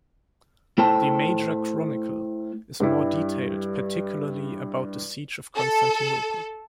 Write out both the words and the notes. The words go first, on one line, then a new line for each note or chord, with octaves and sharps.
The "Major Chronicle" is more detailed particularly about the siege of Constantinople.
A3 E4 A4 C5 G5 A5
G2 G3 E4
A4